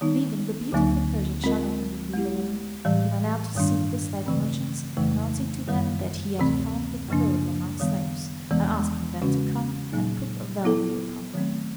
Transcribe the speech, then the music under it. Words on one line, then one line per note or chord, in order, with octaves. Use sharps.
Leaving the beautiful Persian shut up in the room alone, he went out to seek the slave merchants, announcing to them that he had found the pearl among slaves, and asking them to come and put a value upon her.
D#3 G3 B3 D#4
D2 D3 F#3 A#3 D#4
G#3 C4 F4 A#4 D#5
G#3 B3 E4 G4
A2 E3 G3
G2 D#3 G3 A#3 D4
D#2 C#3 E3 A3 C4
F2 C#3 E3 A3
F#2 D#3 G3
D2 C3 E3 A3 C4
F#2 C#3 F3 A#3 D4
D#3 G3 B3
E2 C3 E3 G#3 B3
C#3 E3 G#3 C#4 F#4
A#2 F#3 A#3 D#4
F#3 B3 E4 A4
D#3 F#3 A3 C4